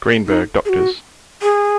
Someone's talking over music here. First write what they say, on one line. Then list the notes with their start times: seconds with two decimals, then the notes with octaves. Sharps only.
Greenberg, Drs.
0.27 D#4
0.65 G#4
0.69 F#4
1.42 G#4